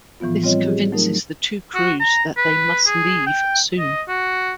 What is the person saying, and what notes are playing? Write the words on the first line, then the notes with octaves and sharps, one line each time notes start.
This convinces the two crews that they must leave soon.
A2 E3 F3 B3 F4
G3 C4 F4 C#5 D#5
G4 G#4
F#3 A3 D#4 A#4
F#4
A#5
B4
G#4
G5
D#5
F#4